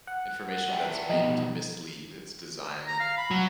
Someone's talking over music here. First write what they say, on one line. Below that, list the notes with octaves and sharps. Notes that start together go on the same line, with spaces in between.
information that's made to mislead, it's designed
F#5
D5 E5 G5
B2 F3 G3 D#4
A#5
F5
B5
F#3